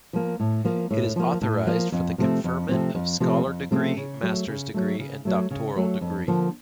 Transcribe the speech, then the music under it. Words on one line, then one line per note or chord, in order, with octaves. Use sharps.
It is authorized for the conferment of Scholar degree, master's degree and doctoral degree.
F3 A#3
A2
F3 A#3
A2
F3 A#3
A2
F3 A#3
F2
C3 F3 A3 C4
F2
C3 F3 A3 C4
F2
C3 F3 A3 C4
F2
C3 F3 A3 C4
C#3
F#3 A3
C#3
F#3 A3
C#3
F#3 A3
C#3
F#3 A3
F2
D3 F3 A#3